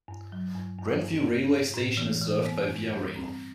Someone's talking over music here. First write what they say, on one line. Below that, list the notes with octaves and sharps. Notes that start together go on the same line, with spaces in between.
Grandview railway station is served by Via Rail.
G2
F#3
G2
G2
G2
G2
G2
A2
E3
E3
B3
G2
G3
C4